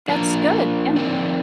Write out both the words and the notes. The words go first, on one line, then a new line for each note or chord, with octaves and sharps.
That's good, yeah.
F3 A#3 D4 F4 A#4
F3 C4 D#4 A#4 D5